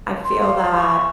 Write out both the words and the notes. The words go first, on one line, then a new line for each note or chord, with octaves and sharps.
I feel that.
C6
F5
C#6